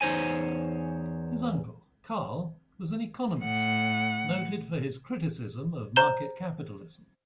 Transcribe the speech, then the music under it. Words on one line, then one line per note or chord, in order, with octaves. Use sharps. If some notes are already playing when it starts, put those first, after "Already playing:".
His uncle, Karl was an economist, noted for his criticism of market capitalism.
E2 D#4 C5 C#5 G#5
A2 F#5
C5 A#5 G6 E7 G7